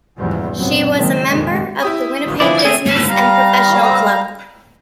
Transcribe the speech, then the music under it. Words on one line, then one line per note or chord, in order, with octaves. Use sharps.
She was a member of the Winnipeg Business and Professional Club.
F#1 B1 E2 G#2 F3 G3
C#2 F#2 A#2 F#3 B3 C4
F#1 D#3 G#3 C4
A#1 F2 C3 D#3 G#3
E4 G4 D#6
F3 D4 E4 G#4 B4 D5
A3 C4 C#4 G#4 E5
G3 F5 A#5